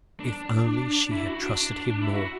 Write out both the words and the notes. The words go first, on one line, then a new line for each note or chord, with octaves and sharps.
If only she had trusted him more!
D4
E4
F#4
D4
E4
F#4